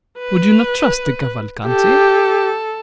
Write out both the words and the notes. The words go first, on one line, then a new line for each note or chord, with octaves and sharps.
"Would you not trust the Cavalcanti?"
B4
G4 A4